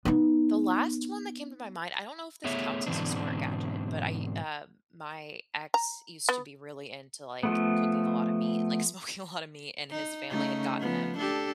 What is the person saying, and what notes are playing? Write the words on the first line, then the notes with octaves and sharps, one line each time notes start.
the last one that came to my mind, I don't know if this counts as a smart gadget, but I, uh my ex used to be really into, like, cooking a lot of meat and, like, smoking a lot of meat, and his family had gotten him
B3 D#4
A3 B3 G#4 C#5 E5
G#2 B2 D3 E3 C4 D4
A#5
B3
F3 A3 B3
D#4
C#3 A3 D#4
F3 B3
D4 G4 A4